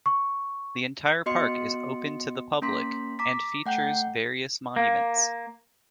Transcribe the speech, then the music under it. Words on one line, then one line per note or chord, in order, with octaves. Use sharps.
The entire park is open to the public, and features various monuments.
C#6
B3 F#4 D#5 C6 C#7
A#3 C#4 A#5 C6 B6
A#5 D6 B6
A3 F#5 G5 G6
A#3